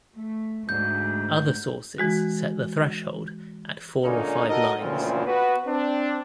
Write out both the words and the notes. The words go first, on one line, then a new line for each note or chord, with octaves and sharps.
Other sources set the threshold at four or five lines.
A3
D2 G#2 G6
E3 G#3 F#4
A#2 D3 G#3 A#3 C#4 D#4
D#4 F#4 A4 A#4 D#5
D2 A#2 C#3 E3 F3 C4
B3 F#4 B4
C4 D4